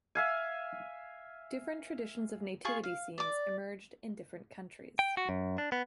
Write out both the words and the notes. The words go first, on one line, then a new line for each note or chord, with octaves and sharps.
Different traditions of nativity scenes emerged in different countries.
E5 F5 G#5
F4 G#4 C#6
F5
D5 D6
G5
F#4
F#2
D4
B3